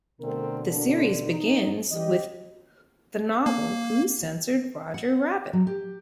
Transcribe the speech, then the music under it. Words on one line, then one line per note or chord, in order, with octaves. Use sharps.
The series begins with the novel Who Censored Roger Rabbit?
B2 D3 A3 C4 A#4
A#3 D4
D#4
E3 G3 C#4 G4 D#5
A#3
F#5
F#3
G4